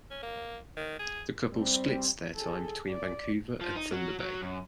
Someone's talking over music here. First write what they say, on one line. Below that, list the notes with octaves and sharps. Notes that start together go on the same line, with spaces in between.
The couple splits their time between Vancouver and Thunder Bay.
C#4
A#3
D#3
G#4
G3 C4
G#4 A4
D5
F3
D#4
F#3
F#3
F#2